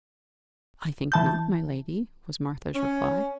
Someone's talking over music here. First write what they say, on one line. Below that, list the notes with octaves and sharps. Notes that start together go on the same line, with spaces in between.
"I think not, my lady," was Martha's reply.
E3 A5 G6
C#4